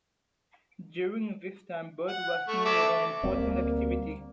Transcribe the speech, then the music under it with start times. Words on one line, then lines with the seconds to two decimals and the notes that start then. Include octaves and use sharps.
During this time bird watching is an important activity.
2.08 F#5
2.48 A3 C#6
2.65 A4 E5 D6
3.23 D2 G3 A#3 C4